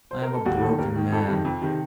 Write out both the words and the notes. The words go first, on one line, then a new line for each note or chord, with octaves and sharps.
I am a broken man.
C5
A#4
A4
D#2 F#4
D#3 A4
D#2 A#4
D#3
F2 A4
C3 D#3
F2
C3 D#3